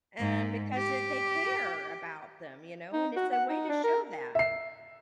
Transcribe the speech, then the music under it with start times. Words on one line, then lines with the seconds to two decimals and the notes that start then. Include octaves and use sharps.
and because it they care about them, you know, and it's a way to show that.
0.20 G#2
0.76 G4
2.93 D#4
3.16 F#4
3.32 F#5
3.49 D#4
3.69 D4
3.83 A#4
4.35 E5 C7